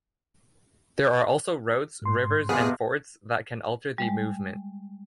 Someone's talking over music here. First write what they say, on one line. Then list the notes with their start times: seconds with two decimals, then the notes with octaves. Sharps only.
There are also roads, rivers, and fords that can alter the movement.
2.02 G#2 C6
2.49 F2 C3 B3 G#4
3.98 G3 G#3